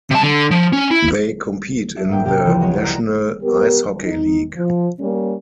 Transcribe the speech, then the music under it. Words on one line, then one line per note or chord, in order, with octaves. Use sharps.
They compete in the National Ice Hockey League.
C3 A5
D3
F3
C#4
E4
D4 E5
G#2 A#3 G5
C3 G4 G5
C#2 E3 F3
F#3 G#3 C#5
D5 A#5 F#6
B3 G4 A#4
D#4
F3
G3 A#3 C#4